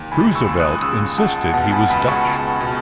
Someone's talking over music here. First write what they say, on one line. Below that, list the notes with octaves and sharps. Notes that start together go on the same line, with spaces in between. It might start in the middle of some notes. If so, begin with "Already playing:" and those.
Roosevelt insisted he was Dutch.
Already playing: D#2
C#2 G#5 B5
C#6 E6
C#2
D#6 F#6
C#3 C#6 E6
C#2 F#5 A5
B2 F#5 A5
G#5 B5
C#2 G#5 B5
A5 C#6
C#2
B2